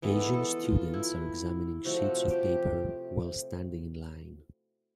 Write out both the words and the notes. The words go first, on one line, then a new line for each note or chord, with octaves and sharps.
Asian students are examining sheets of paper while standing in line.
E3 G#3 B3 A4
A4
F4
E4
C3 F3 A3 F#4
G4